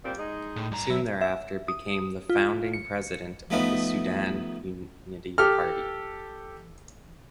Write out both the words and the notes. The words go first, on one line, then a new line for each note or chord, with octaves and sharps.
Soon thereafter became the founding president of the Sudan Unity Party.
A#2 G3 C4
G#3 D#4
A2
G2 A#5
F#3 E5
E5
D#6
F4
C#7
F3 A3 B3 D#4
G4 A4 F6